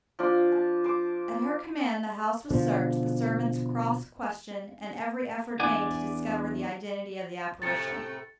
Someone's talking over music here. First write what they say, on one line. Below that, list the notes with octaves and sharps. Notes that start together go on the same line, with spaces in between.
At her command the house was searched, the servants cross-questioned, and every effort made to discover the identity of the apparition.
F3 D4 F4 D6
A5
C5 D6
B2 D3 F3
E2 D4 D5 F#5 G#5
A2 C3 A3 A6 C#7